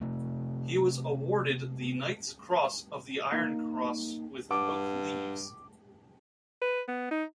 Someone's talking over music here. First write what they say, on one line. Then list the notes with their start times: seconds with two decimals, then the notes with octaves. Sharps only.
He was awarded the Knight's Cross of the Iron Cross with Oak Leaves.
0.01 C3 A3
3.32 A#3 D#4
4.51 G2 F#5 A5 D6
6.61 B4
6.88 B3
7.11 D#4